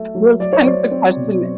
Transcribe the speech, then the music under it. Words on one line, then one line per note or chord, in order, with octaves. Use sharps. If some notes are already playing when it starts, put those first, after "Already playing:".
That's kind of the question
Already playing: F#3 A3
F#3
F#3 D5
C#5
F#3 C5 D5
C4
B2
F#3